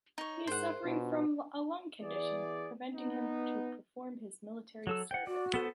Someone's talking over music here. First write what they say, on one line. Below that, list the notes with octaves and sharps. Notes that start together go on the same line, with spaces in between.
He is suffering from a lung condition preventing him to perform his military service.
D#4 C#5
G#2 G#4 A#4 C5 F#5 C7
B2 D4 F4
E2 E3 G#4 D5
B3 D#4
F#3 A4 E6
F#5 G5
F#4 D5
B3 A4 C5